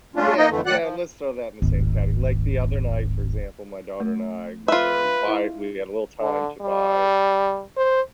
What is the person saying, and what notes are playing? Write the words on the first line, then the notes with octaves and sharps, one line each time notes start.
Yeah, yeah, let's throw that in the same categ like the other night, for example, my daughter and I were bi we had a little time to bi
A3 C#4 D4 F4
A#3 D#4 D#5
F2 D3 E3 A3
D2 D#3 D5 F#5 F#6
F3
D1 G#1
A3
F4 B4 E5
E4 D#5
D3
G3
C5